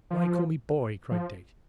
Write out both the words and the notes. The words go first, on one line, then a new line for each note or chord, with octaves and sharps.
"Why call me 'boy'?" cried Dick.
F3
F3